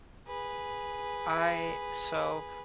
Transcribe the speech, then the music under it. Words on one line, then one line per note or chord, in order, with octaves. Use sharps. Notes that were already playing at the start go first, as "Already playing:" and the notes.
I so,
G#4 B4